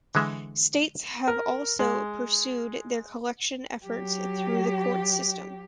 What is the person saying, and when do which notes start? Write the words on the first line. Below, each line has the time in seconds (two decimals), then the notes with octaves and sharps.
States have also pursued their collection efforts through the court system.
0.15 D3 E3 G#3 E5
1.28 A#4
1.79 G#3
3.84 F#3 G4